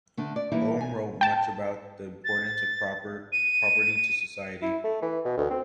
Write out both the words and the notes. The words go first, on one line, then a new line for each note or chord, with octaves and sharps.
Home wrote much about the importance of property to society.
D3 A3
D5
E3 G3 A#3 D#4 E4
G#5
G5 A5
A6
D#7
E4
A3
E3
B2
D2
C4